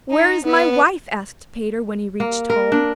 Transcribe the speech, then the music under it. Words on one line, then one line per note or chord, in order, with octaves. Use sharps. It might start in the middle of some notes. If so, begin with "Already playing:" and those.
'Where is my wife?' asked Peter, when he reached home.
D#4
B3
A#3
A#4
D4